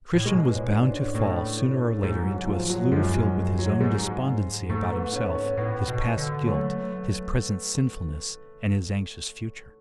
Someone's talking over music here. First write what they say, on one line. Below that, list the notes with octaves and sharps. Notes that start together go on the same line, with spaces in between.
Christian was bound to fall sooner or later into a slough filled with his own despondency about himself, his past guilt, his present sinfulness, and his anxious future.
A2
B2 G#3
B3
A2
D4
G#2
C#4
A2 A3
G#2 G#3
F#3
F3
F#3
F#2 G#3
F#3
F#3
G#2 G#3
G#2 A3
B3
C#4
C#4
A2 B3
B2
D3
F#3 A3